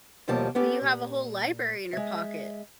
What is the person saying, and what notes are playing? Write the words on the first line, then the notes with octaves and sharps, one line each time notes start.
Do you have a whole library in your pocket?
D#2 B2 F3 G3 A#3 A5
B3 C#4 G4 A4
A#2
G#3 E5